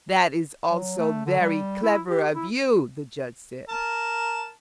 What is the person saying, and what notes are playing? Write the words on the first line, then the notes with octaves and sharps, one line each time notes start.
"That is also very clever of you," the judge said.
F#3
A3
D3
G3
E4
G4
E4
A#4 A5